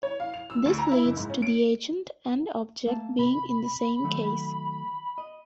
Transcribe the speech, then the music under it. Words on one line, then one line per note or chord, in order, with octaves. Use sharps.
This leads to the agent and object being in the same case.
C#5
F5
F7
E6
D2
A#5
E4
F#1
G#2
C#4
D7
A3 A#3 A5
C3 B5
D#3 F#3 A3
D#5